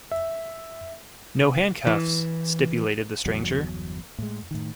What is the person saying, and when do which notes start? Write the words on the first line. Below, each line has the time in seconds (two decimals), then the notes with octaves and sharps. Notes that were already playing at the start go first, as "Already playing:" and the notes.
"No handcuffs," stipulated the stranger.
0.11 E5
1.87 E3
3.26 G1 E2 F#3
4.18 A2 G#3
4.51 A2 D#3